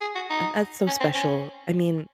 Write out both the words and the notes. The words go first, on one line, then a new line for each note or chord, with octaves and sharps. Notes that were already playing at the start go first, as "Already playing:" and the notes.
Uh, that's so special. I mean
G#4
F#4
D#4
C#4
C4
C#4